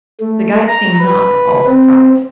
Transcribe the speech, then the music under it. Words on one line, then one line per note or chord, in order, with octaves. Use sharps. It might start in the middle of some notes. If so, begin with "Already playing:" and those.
The guide seemed not at all surprised.
A3
A#5
B4
C4